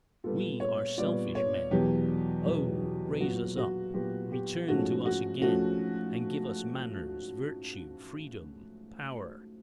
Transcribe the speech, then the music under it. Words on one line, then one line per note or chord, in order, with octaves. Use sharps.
We are selfish men O! raise us up, return to us again; And give us manners, virtue, freedom, power.
A#2 G3 B3 A4
C#5
A#2 G3 B3 D5
C#5
E2 B2 F#3 G4
E2 B2 F#3
A#2 F#3 B3 F#4
F#4
A#2 F#3 B3 G4
G4
G#2 F3 A3 C#4 F#4
F#4
F3 A3 C#4 F#4